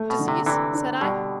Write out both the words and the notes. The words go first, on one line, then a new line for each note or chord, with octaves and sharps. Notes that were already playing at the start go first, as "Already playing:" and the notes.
"Disease?" said I.
Already playing: A3
B2
D3
C3
C3 E3 D4
D4
B2 D3 G3